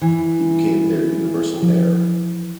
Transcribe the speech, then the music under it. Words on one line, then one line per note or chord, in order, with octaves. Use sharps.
He became their universal heir.
E3
F3